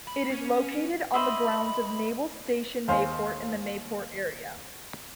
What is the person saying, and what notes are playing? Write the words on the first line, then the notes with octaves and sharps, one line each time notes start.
It is located on the grounds of Naval Station Mayport in the Mayport area.
B5
C#4
C5 D#5 E5 B5
D#2 C5 F5 G#5 C6